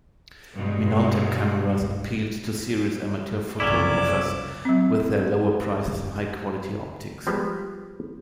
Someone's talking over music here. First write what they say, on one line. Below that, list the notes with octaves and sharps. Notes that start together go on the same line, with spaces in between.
Minolta cameras appealed to serious amateur photographers with their lower prices and high-quality optics.
G2 B2 G#3
F#1 C2 F2 F#3 C#4 E4 D5 D6
F#3 C4
F3 G3 G#3 B3